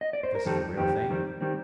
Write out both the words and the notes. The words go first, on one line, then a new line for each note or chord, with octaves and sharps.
"But this is the real thing?"
D#5
D5
C5
A#4
F2 D#3 G3 C4 A4
F2 D#3 G3 C4 G4
F2 D#3 G3 C4
D#3 G3 C4